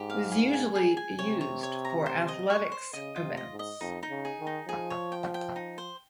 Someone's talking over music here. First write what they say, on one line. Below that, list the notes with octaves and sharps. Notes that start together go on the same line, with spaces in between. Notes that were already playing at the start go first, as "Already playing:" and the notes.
It is usually used for athletics events.
Already playing: G#2 G4
F5
G#4
G#5
G#4
G#5
C3 C#5
C#5
C#5
A#5
C5
D#5
C#6
C5
C#3 D#5
F4
C3
D#5
G#2
D#5
F2 D#4
D#4
C#3
G#4
D#3
D#4
F3 G#4
C#5
G5
G5
D#4
C5